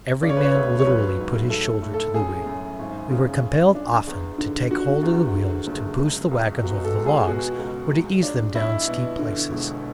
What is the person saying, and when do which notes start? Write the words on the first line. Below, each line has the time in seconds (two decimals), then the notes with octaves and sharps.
Every man literally "put his shoulder to the wheel." We were compelled often to take hold of the wheels to boost the wagons over the logs or to ease them down steep places.
0.22 C#3 D5
0.29 C#5
0.37 B4
0.44 C#5
0.55 D2
0.80 C#5
0.87 F#3 B4
1.19 G#2
1.50 A2 A4
1.82 A2
1.94 A4
2.14 F#2 G#4
2.46 F#2
2.79 G#1
3.11 C#3
3.42 F#2
3.75 D4
4.07 E2
4.38 D3
4.71 D3 F#4
5.03 E2
5.35 D3
5.67 F#1
5.99 C#2
6.31 C#2
6.63 B2 F#4
6.85 A4
6.95 G#3
7.06 G#4
7.27 B2 F#4
7.59 C#2
7.91 G#3
8.23 D4
8.55 B1 E4
8.87 B2
9.19 D3
9.51 E1